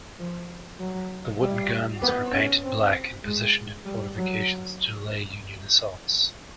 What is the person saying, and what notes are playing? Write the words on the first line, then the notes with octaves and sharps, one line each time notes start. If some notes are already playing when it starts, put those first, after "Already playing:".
The wooden guns were painted black and positioned in fortifications to delay Union assaults.
F3
F#3
G3
B3
C#4
C4
G#3
G3
F#3